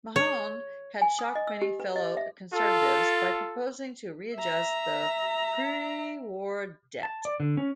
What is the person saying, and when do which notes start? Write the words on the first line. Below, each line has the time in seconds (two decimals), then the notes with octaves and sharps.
Mahone had shocked many fellow Conservatives by proposing to readjust the prewar debt.
0.16 C#5
1.02 G#5
1.19 D#6
1.35 D#5
1.47 E6
1.62 G4
1.80 B4
1.96 D#5
2.17 E5
2.53 F4 A4
4.35 E5 A#5
7.03 A5
7.25 D5
7.40 D3
7.57 C#4